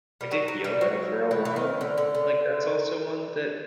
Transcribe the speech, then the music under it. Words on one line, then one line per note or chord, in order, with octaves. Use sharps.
I did yoga for a while. Like, that's also one that
G3
F#3
F#3
G3
F#3
E3
E3
D#3
D3
D3
D3